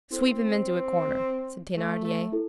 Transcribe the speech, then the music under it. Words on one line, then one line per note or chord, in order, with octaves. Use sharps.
"Sweep him into a corner," said Thenardier.
C4 E4 A4 C5
A3
A3
E4 A4